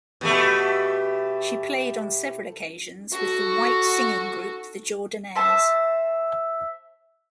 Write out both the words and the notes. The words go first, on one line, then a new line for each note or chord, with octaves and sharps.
She played on several occasions with the white singing group the Jordanaires.
B2 G3 A3
F#4 A4
C5 E5 A5